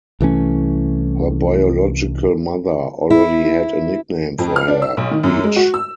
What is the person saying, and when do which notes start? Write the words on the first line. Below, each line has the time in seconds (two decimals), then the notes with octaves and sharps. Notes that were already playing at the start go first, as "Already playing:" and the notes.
Her biological mother already had a nickname for her, beach.
0.21 C2 E3 A3 C#4
3.10 E4
4.39 F2
4.56 F6
4.68 D4
4.82 E6
4.97 B1
5.11 D#3
5.23 F#2
5.43 G#3
5.56 F#4
5.74 E6